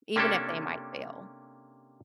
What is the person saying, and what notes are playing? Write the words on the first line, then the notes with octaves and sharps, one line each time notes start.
even if they might fail.
C3 A#3 C#4 D4 G4 A4